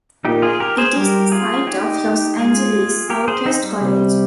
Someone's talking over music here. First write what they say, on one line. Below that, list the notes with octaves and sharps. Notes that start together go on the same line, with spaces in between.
It is the site of Los Angeles Southwest College.
A#2 D#4 G4
F4 G#4
G4 A#4
G#4 C5
G3 G4 A#4
F4 G#4
D#4 G4
G#3 F4 G#4
G4 A#4
G#4 C5
C4 D#4
G3
C3